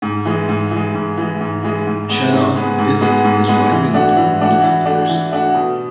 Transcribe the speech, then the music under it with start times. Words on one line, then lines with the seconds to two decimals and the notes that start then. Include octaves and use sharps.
Shanawdithit is widely known among Newfoundlanders.
0.02 G#2
0.25 E3 G#3
0.49 G#2
0.71 E3 G#3
0.94 G#2
1.17 E3 G#3
1.41 G#2
1.63 E3 G#3
1.87 G#2
2.09 G#3 B3
2.32 G#2
2.55 G#3 B3
2.78 G#2
3.01 G#3 B3
3.24 G#2
3.48 G#3 B3
3.71 E3
3.94 A3 D4 F#4
4.17 E3
4.40 A3 D4 F#4
4.63 E3
4.85 A3 D4 F#4
5.09 E3
5.32 A3 D4 F#4
5.54 B2